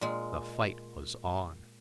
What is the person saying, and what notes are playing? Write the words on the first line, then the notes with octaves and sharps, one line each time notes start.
The fight was on!
A#2 G#3